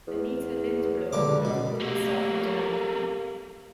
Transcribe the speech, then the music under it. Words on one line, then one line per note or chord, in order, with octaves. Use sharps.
Anita Lindblom recorded the song in German.
E2
C#2 G2 D3 D6
F#2 B2
A3 A#3 G4